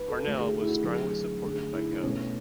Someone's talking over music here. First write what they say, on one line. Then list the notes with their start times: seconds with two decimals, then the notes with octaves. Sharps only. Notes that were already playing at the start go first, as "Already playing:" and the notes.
Parnell was strongly supported by Gov.
Already playing: B4
0.08 A4
0.24 D3 A3 F#4
0.39 G#4
0.54 G#4
0.62 E4
0.69 F#4
0.83 D3 F#3 A3 G#4
1.43 D3 A3 G#4
1.73 E4
1.93 D4
2.03 B2 A3 C#4